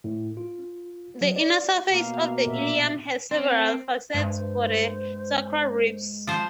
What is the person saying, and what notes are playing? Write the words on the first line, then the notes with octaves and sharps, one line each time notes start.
The inner surface of the ilium has several facets for the sacral ribs.
A2
F4
F#3
D5
B2 A#3 F5
A#2 E5
C4
G2 G#3 C5
F3 C5